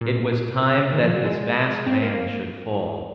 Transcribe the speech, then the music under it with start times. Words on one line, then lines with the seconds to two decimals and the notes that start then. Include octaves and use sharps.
It was time that this vast man should fall.
0.01 A#2
0.63 C3
0.78 C#3
0.93 D#3
1.03 F3
1.15 F#3
1.25 G#3
1.86 C4
2.02 A#3